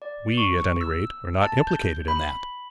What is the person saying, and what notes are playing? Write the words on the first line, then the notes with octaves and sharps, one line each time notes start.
"We at any rate are not implicated in that."
D5
C#6
E6
A5
G6
B5